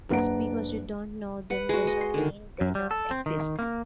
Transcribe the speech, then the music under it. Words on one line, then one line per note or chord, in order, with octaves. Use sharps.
Just because you don't know them does not mean they don't exist.
F#1 D4 B4 F#5 A#5 D7
B4 F#5
G#3 F#4
D#5
C6
D3 D#3
F#2
G3
A4
C4
D#3
A#3